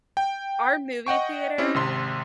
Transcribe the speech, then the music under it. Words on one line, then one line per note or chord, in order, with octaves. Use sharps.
our movie theater?
G5
D#5 F#5 G5 C#6
C4 C#4 E4 G4
G#1 C3 C6